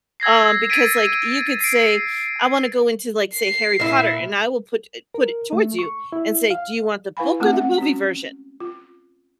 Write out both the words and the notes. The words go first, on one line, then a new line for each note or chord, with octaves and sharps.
um, because like you could say, "I wanna go into like, say Harry Potter," and I will put it put it towards you and say, do you want the book or the movie version?
E6 G#6 A#6 C7
A6 B6 D7 D#7
C7 D7
C7
A#2 E4
A#4
A3
C#6
E4
F5
E4 B4 F5 G#5 B5
G#3 A3 C4 F4 A4 F#5
E5 F#5
C#4 F#4
F4